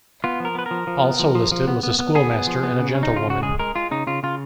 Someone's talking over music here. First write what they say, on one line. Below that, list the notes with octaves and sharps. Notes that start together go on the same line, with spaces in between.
Also listed was a schoolmaster and a gentlewoman.
B3 F4
F3 A#4
B3 B4
F3 A#4
F3
B3
F3
F3
F3
B3
B3
B3
B3 G#4
B3
F3
B3
C#3
C#4
D#4
C#3
F4
C#3 F#4
G#3 G#4
G#3 A#4
G#3 F4
C#3 D#4
C#3 F4
C#3 F4